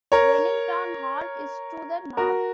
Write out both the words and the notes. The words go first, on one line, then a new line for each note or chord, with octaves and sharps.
Wennington Hall is to the north.
A#4 C#5
F#4 A#4